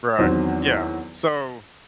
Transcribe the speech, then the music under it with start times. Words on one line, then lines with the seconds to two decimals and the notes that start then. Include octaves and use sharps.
Right. Yeah. So,
0.19 E2 D#3 F#3 C4